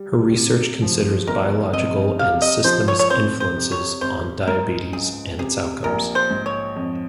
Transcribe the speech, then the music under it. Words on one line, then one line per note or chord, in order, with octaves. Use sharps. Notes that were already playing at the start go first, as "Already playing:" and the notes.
Her research considers biological and systems influences on diabetes and its outcomes.
Already playing: G3
C3
F3
G1 A#4
F2 D#5
C3 F5
D#5
F3 C5
C#5
C#5
F2 C5
C5
C3
C#5
G#1 C5
G#2 A#4
C#2 G#4
C3 G#4
A#1 A#4
C5
G#2
C#5
F2